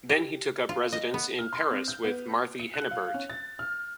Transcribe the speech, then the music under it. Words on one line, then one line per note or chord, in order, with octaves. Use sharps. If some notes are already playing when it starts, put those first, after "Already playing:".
Then he took up residence in Paris with Marthe Hennebert.
G4
F4
D#5
B3
F6
C6
C4
G6
B3
C#7
F#6
F5
C#4
A6
F6